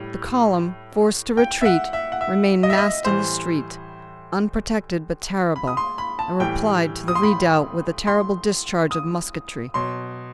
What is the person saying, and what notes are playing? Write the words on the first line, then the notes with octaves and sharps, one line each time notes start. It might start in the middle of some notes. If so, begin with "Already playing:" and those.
The column, forced to retreat, remained massed in the street, unprotected but terrible, and replied to the redoubt with a terrible discharge of musketry.
Already playing: A2 G3
G5
E5
F#5
E5
F#5
E5
D#5
E5
D#5
A2 E3 G3 C5
B5
D#6
C6
B5
A5
A2 E3 G3 G5
D#6
C6
B5
C6
D#6
B2 F#3 C6